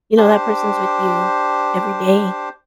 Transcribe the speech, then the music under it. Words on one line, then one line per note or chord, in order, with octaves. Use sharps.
you know, that person's with you every day
D4 G4 C5